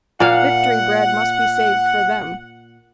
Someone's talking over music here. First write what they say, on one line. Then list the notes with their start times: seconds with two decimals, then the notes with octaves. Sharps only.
Victory bread must be saved for them.
0.20 A#2 F5 F#5